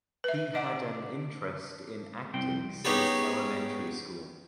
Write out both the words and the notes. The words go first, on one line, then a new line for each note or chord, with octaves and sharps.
He had an interest in acting since elementary school.
B4 E5
D4 D#5 F#5
C2 C4 G5
B3 C#4 D#4 G4 G#4 B4